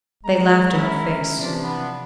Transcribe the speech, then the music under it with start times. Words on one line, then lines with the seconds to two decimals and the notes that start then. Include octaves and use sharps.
They laughed in her face.
0.25 G#3 A#5
0.70 C#4 E4 A#4
1.35 C3 E3 F3 D4
1.64 B3